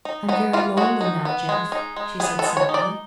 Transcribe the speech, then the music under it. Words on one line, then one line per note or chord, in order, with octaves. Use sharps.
"I am very lonely now, Jeff," she said sadly.
D#4
B3 D#4
E3 F4
G#3 F#4
D#4
B3
G#3
D#4
G#3
B3 G#4
A4
G#3
C#5
D#4
D5